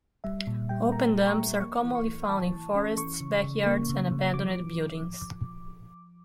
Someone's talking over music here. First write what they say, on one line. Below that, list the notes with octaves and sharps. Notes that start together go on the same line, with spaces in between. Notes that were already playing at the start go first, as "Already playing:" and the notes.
Open dumps are commonly found in forests, backyards and abandoned buildings.
G3 E5
A#2
G3 G5
A#3 A#5
A#3
C#6
G3
A#3 C#6
E3
C#6
E3
E3 A5
E3
C#4
E3 C#6
C#3
C#3
A#3
C#3
C#3
F3 D6